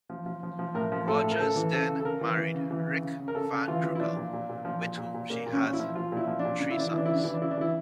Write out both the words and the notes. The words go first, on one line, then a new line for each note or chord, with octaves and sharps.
Rogers then married Rick Van Krugel with whom she has three sons.
F3
F3
F3
F3
A2 A#4
F3
A2 A4
A2
A#4
C#3 A4
E3
C#3 A4
C#3
A4
C#3 A#4
E3
E3
C#3
E3
C#3
C#3
C#3
A#4
C#3 A4
C#3
E3 F4
E3
E4
F3 D4
A#2
A#2
A#2
F3
A#2
A#2
A#2
A#2 A#3
A#2
C#4
A#2
E4
F3
F3 F4
A#2 E4
F3
D4
A#2
C#3 D4
E4
E3 D4
E4
E3 D4
C#3 E4
D4
E3 E4
D4
C#3 E4
D4
E3 E4